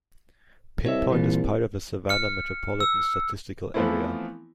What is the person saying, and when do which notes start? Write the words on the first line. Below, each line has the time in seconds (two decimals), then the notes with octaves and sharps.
Pin Point is part of the Savannah Metropolitan Statistical Area.
0.86 C2 C#5 D#5 E5
1.10 A#2 E3 F4
2.09 F6 C#7
2.80 E6
3.74 E3 F3 A3 B3 C4 E4